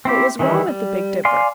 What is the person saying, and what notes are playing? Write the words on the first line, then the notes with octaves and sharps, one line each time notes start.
What was wrong at the Big Dipper?
C4 E4 G4
D#3 E3 G3 E4
G3
D5 F5 G#5 C6